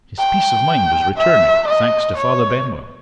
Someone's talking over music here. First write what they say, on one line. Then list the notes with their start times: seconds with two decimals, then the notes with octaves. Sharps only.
His peace of mind is returning, thanks to Father Benwell.
0.19 G5
1.18 E5
1.67 D#5
2.17 C#5